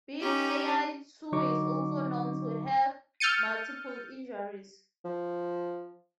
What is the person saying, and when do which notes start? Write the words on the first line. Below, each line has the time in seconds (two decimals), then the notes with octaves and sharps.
Big Al Two is also known to have multiple injuries.
0.19 C#4 D#4 G4
1.32 D3 F#3 D#4 C#6 D6
3.20 E6 F6 G6 A6 C#7 D#7
5.05 F3